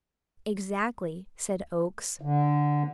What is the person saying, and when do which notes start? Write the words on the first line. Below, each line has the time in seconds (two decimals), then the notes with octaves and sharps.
"Exactly," said Oakes.
2.21 D3